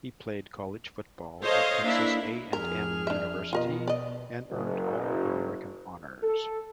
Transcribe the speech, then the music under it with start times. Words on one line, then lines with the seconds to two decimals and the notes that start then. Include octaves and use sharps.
He played college football at Texas A and M University, and earned All-American honors.
1.42 A4 C5 C#5 D#5 F5
1.85 A#3 D4 E4 E5
2.53 F2 G#4 A#4 F6
3.07 D4 E5
3.53 B2 F4 A#4 D#5
3.88 D5 D#5
4.50 F#1
6.23 A4